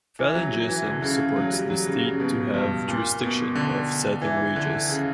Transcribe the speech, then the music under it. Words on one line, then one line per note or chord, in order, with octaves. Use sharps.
Falangism supports the state to have jurisdiction of setting wages.
E3
F#3
F#3
E3
D3
C#3
C#3
F#3
G3
F#3
C#3
C#3
B2
G2
A#2
B2
D3
E3
D3
C#3